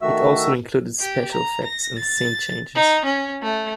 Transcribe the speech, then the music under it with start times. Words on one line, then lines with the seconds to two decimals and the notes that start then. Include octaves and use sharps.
It also included special effects and scene changes.
0.02 D#3 A3 F#4 E5 E6
0.99 G4
1.32 A#5
1.64 A#6
1.98 A6
2.75 D#4
3.05 C#4
3.43 A3